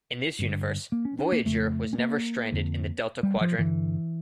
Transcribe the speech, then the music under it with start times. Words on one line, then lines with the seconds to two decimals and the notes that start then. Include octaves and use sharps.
In this universe, "Voyager" was never stranded in the Delta Quadrant.
0.39 G2 D3
0.92 A#3
1.05 C#4
1.19 D4
1.32 A#3
1.45 F2 C#3 A3
1.93 C#4
1.98 A#3
2.52 F2 D3
3.23 G3
3.41 F3
3.58 G2 D3 E3